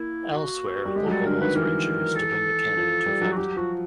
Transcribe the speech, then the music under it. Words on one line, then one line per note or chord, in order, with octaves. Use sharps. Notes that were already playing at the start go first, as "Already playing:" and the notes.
Elsewhere, local laws were introduced to bring the canon into effect.
Already playing: A#3 E4
F#4
G3
G#3 G4
F#3
G3 A4
D3 A#4
D#3 B4
E3 A#4
A4
F3
G3
F#3
F#4
F#3 G4
F3 F#4